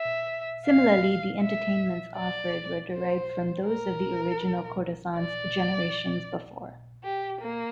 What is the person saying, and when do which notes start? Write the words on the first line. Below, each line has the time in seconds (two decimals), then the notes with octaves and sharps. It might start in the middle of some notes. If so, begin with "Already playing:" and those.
Similarly, the entertainments offered were derived from those of the original courtesans generations before.
Already playing: E5
0.66 F5
1.41 E5
2.17 D5
2.92 C5
3.66 A#4
5.17 D5
7.03 G4
7.41 A#3